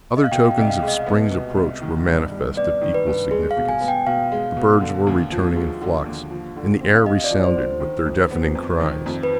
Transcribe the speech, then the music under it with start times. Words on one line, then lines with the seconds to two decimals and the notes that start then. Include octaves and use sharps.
Other tokens of spring's approach were manifest of equal significance, the birds were returning in flocks, and the air resounded with their deafening cries.
0.17 D#5
0.24 F5
0.32 B2 G5
0.51 G5
0.57 C2 D#5
0.70 F5
0.83 G#3
0.88 D#5
1.06 B3 D#5
1.32 B2
1.57 C2
1.81 D#3
2.07 G2
2.32 G3
2.56 B3 D5
2.81 D#3
2.94 B4
3.07 G2
3.31 G#3 G#4
3.51 F5
3.57 B2
3.69 G#5
3.81 B3
3.88 G5
4.07 B2 F5
4.32 G#3
4.57 B2
4.81 D3
5.07 D#2
5.32 F3
5.56 G#3
5.81 D3
6.06 D#2
6.31 F3
6.56 D3
6.81 C4
6.95 F5
7.05 G4 D#5
7.24 D5
7.31 F3
7.43 C5
7.56 D3
7.62 C5
7.80 D#3
8.06 F2
8.31 B3
8.55 F2
8.80 D#3
9.06 F2
9.23 B4